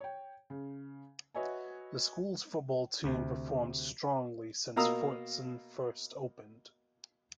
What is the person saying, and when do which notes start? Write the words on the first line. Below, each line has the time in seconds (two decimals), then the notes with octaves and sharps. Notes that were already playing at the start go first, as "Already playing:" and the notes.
The school's football team performed strongly since Fordson first opened.
0.01 C#5 G5
0.50 C#3
1.35 F#4 B4 C#5 D#5 E5 G#5
3.04 D2 C3
4.76 B2 A#3 F5 A#5 D#6 E6